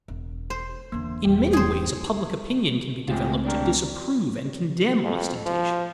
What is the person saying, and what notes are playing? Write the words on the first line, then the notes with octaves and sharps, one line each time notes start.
In many ways a public opinion can be developed to disapprove and condemn ostentation.
E1
C5
E2 D3 A#3
D#1 A#1 E2 G4
G#4 C5
C#2 A3 C4 F4 G4 G#4
D4 G4 A#4
F2
F3